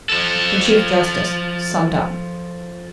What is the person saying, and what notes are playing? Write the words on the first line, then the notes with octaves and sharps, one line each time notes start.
The chief-justice summed up.
F3 A4